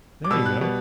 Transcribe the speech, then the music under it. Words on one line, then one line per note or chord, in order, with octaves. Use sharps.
There you go.
D6
B2 G3 B3 E6
F#6
B2 G3 B3